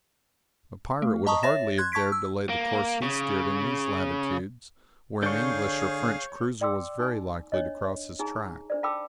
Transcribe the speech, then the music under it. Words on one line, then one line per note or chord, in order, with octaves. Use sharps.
A pirate would hardly have dared to lay the course he steered in these latitudes, where an English or French cruiser was very likely to cross his track.
A3
D#5 A5 A#5 C#6 D#6
C#5 E5 A6 A#6 E7
C6 F#6 G#6
A5 C#6 G#6 B6 D7
E6
A#3
C#3
D3 D4 G#4 C#5 F5 C#6 G6
D5 G5 C6 D6 E6
D#4 G#5
D4 C#5 D#5
D#4 G#4 G#5 A#5
D4 C5 D5
F5 G5 A5 B5 D6 E6